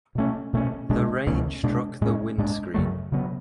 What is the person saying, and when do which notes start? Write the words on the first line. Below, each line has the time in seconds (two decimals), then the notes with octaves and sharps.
The rain struck the windscreen.
0.15 B2 A3 C#4
0.53 B2 A3 C#4
0.89 B2 G#3 D4
1.26 C#2 B2 A3 C#4
1.63 B2 G#3 D4
2.01 A2 G#3 C#4
2.38 G#2 G#3 D4
2.74 F#2 C#3 F#3 A3
3.12 C#3 F#3 B3